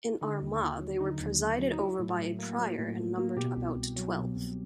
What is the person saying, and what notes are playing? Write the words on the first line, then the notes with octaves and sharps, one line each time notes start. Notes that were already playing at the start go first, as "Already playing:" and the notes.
In Armagh they were presided over by a prior, and numbered about twelve.
D3 D#4
D#2
D#2
F#3
D3 D#4
D#2
D#2
F#3
D#4
F#3 E4
A2
A2
A#3
F#3
A2
A2
A#3
B2 G4
C2
C2
F#3
B2
C2